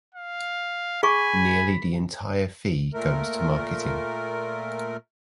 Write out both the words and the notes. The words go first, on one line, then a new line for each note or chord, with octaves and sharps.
Nearly the entire fee goes to marketing.
F5
G#4 G#5 B5 C#6
A#2 A3 A#4